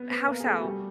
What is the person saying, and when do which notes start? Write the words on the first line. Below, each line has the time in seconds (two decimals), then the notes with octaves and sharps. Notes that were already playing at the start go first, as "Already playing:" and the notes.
How so?
Already playing: B3 B4
0.10 B3 B4
0.28 A#3 A#4
0.40 G#4
0.45 A3 A4
0.59 F#4
0.64 G3 G4